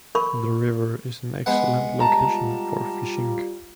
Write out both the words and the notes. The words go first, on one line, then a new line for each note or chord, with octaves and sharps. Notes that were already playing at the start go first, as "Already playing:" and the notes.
The river is an excellent location for fishing.
A#4 B5 C#6
G#3 B3 F#5
G3 F4 A5 A#5